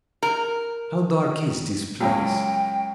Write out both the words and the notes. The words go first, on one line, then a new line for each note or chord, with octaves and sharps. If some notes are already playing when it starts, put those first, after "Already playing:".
How dark is this place!
A#4
C#2 F#2 C#4 G5